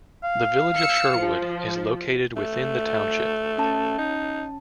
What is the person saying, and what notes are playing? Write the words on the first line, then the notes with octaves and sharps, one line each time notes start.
The village of Sherwood is located within the township.
F5
E6 C#7
F3
A3
C#4 A5
D#4